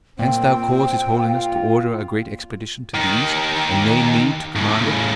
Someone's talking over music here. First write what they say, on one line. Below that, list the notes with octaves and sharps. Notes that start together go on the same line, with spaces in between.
Canst thou cause his holiness to order a great expedition to the East and name me to command it?
A#2 C4 G5
F4
D#2 D#3
A2 C#3